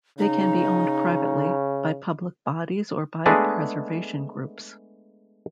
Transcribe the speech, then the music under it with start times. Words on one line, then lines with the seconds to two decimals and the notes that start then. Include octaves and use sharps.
They can be owned privately, by public bodies or by preservation groups.
0.19 C#3 D#4
3.26 G#3 A3 B3 D4 G#4 D#5